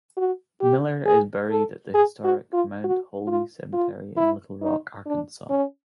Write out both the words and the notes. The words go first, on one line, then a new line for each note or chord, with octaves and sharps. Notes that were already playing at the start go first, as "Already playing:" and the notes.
Miller is buried at the historic Mount Holly Cemetery in Little Rock, Arkansas.
F#4
G4
G#4
A4
G#4
F#4
F4
F#4
F4
F4
E4
D#4
D4
C#4